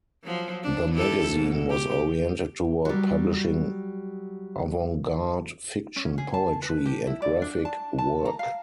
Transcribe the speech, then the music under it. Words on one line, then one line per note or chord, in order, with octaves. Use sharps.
The magazine was oriented toward publishing avant garde fiction, poetry, and graphic work.
F3 F#3
D4
E4 G4 A4
G#2 B2
G4
F#3 G3
C#4
G#4
A5
B4
G4
E4
D5
D4
A5
A5
A#5
F5